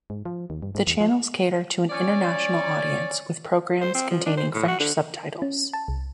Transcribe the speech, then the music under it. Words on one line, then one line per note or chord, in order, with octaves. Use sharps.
The channels cater to an international audience, with programmes containing French subtitles.
G#2
F3
D#2
G2
G#2
E2
F3
C#4 D5
C5
C4
F3
D4
C5
A2
F#4
D3
C#4
A5
C2